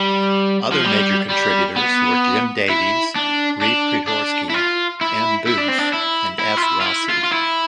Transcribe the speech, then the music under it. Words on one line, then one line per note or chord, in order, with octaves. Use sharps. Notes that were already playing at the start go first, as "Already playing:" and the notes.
Other major contributors were Jim Davies, Reid Priedhorsky, M. Booth, and F. Rossi.
Already playing: G3
F3
G3
G3
B3
E4
D4
D4
D4
E4
F4
E4
E4
D4
C4
D4
E4
E4
F4
E4
F4
E4
F4
F4
E4